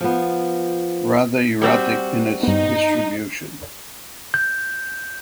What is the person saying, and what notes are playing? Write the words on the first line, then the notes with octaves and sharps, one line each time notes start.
Rather erratic in its distribution.
F3 B3
G3 C4 F#4
G2 B3 D#4
G6